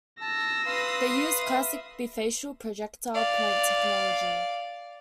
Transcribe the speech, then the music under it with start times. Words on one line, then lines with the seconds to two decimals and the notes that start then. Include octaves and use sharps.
They used classic bifacial projectile point technology.
0.21 A5 E6 A#6
0.66 B4 F5 C6 D#6
1.40 E5
3.15 D5 F5